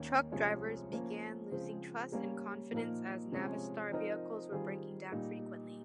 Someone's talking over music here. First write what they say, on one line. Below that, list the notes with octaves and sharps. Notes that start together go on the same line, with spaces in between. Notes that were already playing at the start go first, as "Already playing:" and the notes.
Truck drivers began losing trust and confidence as Navistar vehicles were breaking down frequently.
Already playing: D#2 D#3 A#3 C#4
C2 C3 F3 G#3 C#4
F3 A#3 C#4
C#3 F3 G#3 C4
G3 A#3 C#4
A#2 F3 A#3 D#4 A#4
C3 F3 G#3 C#4 G#4
F3 C4 D#4 A#4 D#5
D#3 G3 C4 F4 G#4
A#2 G3 A#3 D#4